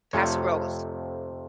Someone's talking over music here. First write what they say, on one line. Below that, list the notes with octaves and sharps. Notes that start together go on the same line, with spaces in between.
Paso Robles.
F2 C3 F3 A3 C#5